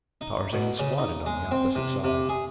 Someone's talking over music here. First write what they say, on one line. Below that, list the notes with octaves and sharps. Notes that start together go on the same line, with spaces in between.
Tarzan squatted on the opposite side.
D#4
B2
C#3
D#4
G#3
C4
C3
C3
G#4